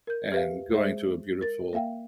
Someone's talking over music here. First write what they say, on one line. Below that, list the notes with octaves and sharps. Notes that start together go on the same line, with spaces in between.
and going to a beautiful,
A#4 G6
G4 B4 E5 F5
G#3 G#4 C5 E5
A#4 A6
A#3 E5 F5 G5